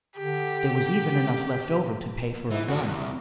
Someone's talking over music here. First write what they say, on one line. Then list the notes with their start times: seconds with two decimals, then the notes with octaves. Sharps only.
There was even enough left over to pay for a gun.
0.17 D3 G4
2.50 E3
2.68 D#3 F#4
2.80 C2